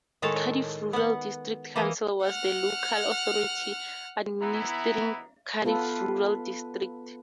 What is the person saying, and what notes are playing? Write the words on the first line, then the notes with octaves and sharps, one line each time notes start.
Cardiff Rural District Council was the local authority administering Cardiff Rural District.
A2 D#3 G#3 A4 C#5 A5
B3 F#5
E3 A#3 E4 D#5
F#5 F6
E3 B3 E4 A#5
B3 F4 A4 B4